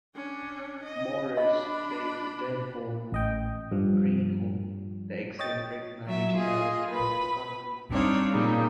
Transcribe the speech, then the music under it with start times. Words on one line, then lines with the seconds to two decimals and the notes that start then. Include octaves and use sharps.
Morris played Denholm Reynholm, the eccentric managing director of the company.
0.16 C#4 D4
0.84 D#5
1.37 D4 D#5 B5
3.12 A1 D#5 G5
3.72 G2 F3
5.39 C#5 D#5 G5 A6
6.06 F#3 E5
6.36 F4 G#4 D#5
6.91 B4 B5
7.91 G3 C4 D4 D#4 C#5 F5
8.31 A#2 C#3 G3 D#4